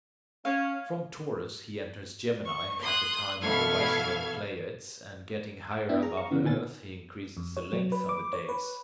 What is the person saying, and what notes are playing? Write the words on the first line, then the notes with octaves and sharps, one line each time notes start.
From Taurus he enters Gemini at the time of the rising of the Pleiades, and, getting higher above the earth, he increases the length of the days.
C#4 F5
C#6
C6 D#6 F#6
B2 E3 A4 F5 F6 G#6
F#5 D6 E6
B3 D4 E4 E5 G5
G#4 A#5
F5 A#5 C#6
C#3 E3 B3
D2 A#2 D#3 B3 G#5 A6
F2
C#5
F#3
B4
D6
C#5
B4